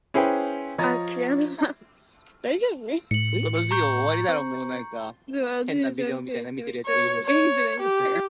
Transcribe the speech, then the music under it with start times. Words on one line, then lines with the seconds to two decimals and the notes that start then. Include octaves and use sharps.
At the advance resumed towards Hessian Trench, which was taken easily.
0.14 C#4 E4 G#4 B4 C5 G5
0.78 F3 C#5 D#5 A#5 A6
3.11 A2 C#7 F#7
3.56 C#7
3.71 A#5 C#6 G6
4.29 C4
6.86 C#5
7.26 C#5
7.80 G4